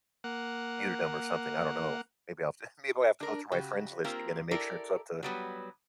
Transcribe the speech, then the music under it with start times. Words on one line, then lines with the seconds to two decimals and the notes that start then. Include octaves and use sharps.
muted him or something, I don't know. Maybe I'll have to maybe I'll have to go through my friends list again and make sure it's up to
0.24 A#3 F#5
3.21 D4 A#4
3.52 C#3 F#4 G4
4.04 A#3 C4 F4 G4 A#4
4.51 E4 G4 A4 A#4 D5
5.23 F#3 G3 B3